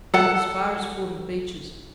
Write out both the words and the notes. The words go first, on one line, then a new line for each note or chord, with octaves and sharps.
'As far as Fordham Beeches.
A4 F#5